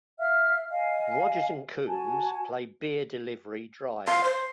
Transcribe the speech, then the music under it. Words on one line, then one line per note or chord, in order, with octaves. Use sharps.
Rodgers and Combs play beer delivery drivers.
E5 F5 F6
D#5 F5 G#5
F#4 G#5 A5
F5 C6
C5